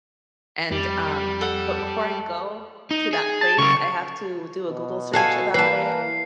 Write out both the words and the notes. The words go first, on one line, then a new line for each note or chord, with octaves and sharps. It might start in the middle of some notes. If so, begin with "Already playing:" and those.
and um but before I go to that place, I have to do a Google search about it,
F2 G3
A4 F#5
D#4
G#4
A5
C#3 A#4 C#6
B2
F#4 A4 F5 G#5
E3 A#3 B4 A5 C7